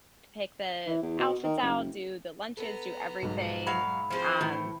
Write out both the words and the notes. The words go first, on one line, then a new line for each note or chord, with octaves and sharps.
pick the outfits out, do the lunches, do everything, um,
E3
E2
B2
D#3
F#1
B3 A4 A#5
B1 G#2
F#3 F5 B5
F3 C4 G#4 C5
A2 E3